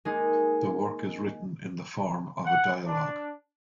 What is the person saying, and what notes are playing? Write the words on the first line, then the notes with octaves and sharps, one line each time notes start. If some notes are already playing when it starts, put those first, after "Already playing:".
The work is written in the form of a dialogue.
G#3 A#3 D#4 G#4
F#5
D4